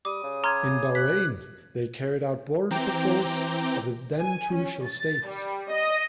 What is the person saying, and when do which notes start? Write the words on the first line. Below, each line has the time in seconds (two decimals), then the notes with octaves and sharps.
In Bahrain, they carried out border patrols of the then Trucial States.
0.05 G3 D6 D#6
0.24 C#3
0.44 A#5 C6 D6 F6 G#6
0.95 F#6 B6
2.71 E3 C4 G5 A#5 D6 G6
4.20 G#5
4.54 C#4
4.86 A6
5.27 G3
5.72 D#5